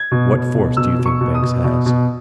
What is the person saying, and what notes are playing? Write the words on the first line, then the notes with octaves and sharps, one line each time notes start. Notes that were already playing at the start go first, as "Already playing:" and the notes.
"What force do you think Banks has?"
Already playing: G#6
B2
B2
B2
B2 E6
B2
C#6
B2
D#6
B2
B2
B2